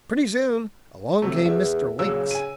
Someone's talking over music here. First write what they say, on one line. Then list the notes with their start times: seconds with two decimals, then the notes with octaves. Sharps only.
Pretty soon along came Mr. Lynx.
1.22 C3 F#3 A3
1.45 E2 E5
1.99 A#2 C#3 F#3 E6
2.31 G#5 D#7